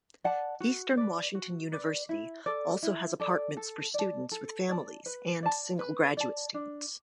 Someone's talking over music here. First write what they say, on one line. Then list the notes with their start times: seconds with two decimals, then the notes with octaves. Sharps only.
Eastern Washington University also has apartments for students with families and single graduate students.
0.24 D5 F#5 A5
0.60 F#4
0.97 B4 D5
1.35 F#4
1.72 B4 D5
2.09 E4
2.46 A4 D5
2.83 E4
3.20 A4 D5
3.57 A4
3.94 D5 A5
4.31 A4
4.69 D5 A5
5.06 B4
5.43 D5 A5
5.79 B4
6.17 D5 A5
6.54 D4